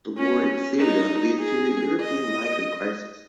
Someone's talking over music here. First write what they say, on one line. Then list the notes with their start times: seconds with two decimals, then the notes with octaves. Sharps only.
The war in Syria leads to the European migrant crisis.
0.18 C#4
0.79 D#4
1.40 G#4
2.00 D#5